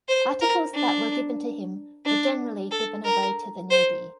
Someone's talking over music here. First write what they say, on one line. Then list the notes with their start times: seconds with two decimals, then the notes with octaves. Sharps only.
Articles that were given to him were generally given away to the needy.
0.08 C5
0.41 A#4
0.74 D4
2.05 D4
2.71 A4
3.05 A#4
3.70 C5